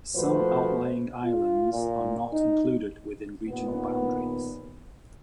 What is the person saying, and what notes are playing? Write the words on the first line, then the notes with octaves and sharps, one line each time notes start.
Some outlying islands are not included within regional boundaries.
A#2 F3 A3 F#4 B4 C5
F4
A#2
D#4
D#2 A#2 B3